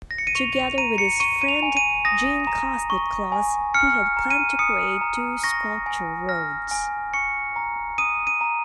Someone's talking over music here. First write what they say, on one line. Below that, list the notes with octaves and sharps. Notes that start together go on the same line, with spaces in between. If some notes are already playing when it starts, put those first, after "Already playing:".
Together with his friend Jeanne Kosnick-Kloss he had planned to create two sculpture roads.
A#6
C#7
D#7
C#6 F7
F7
A#5 D#7
C#7
C#6 D#7
D#7
F7
G#5
D#7
D#6 A#6
A#5
C#6
G#5
F6 C#7
A#5
D#7
D#6 C#7
A#5
C#6 A#6
G#5
F6 A#6
G#5
C#6 C#7
A#5
D#6 D#7
D#7
A#5